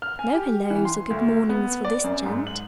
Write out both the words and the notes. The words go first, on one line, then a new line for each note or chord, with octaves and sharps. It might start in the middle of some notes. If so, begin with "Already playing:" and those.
No hellos or good mornings for this gent!
F6
G#5
G4
E3
C6
D2
B3
D5
F#2
G#2
F#7